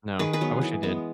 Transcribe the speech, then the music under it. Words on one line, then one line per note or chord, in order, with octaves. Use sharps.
No. I wish I did.
D#3 G#4 B4
G#4 B4
F#3 B3
E3
G#3 B3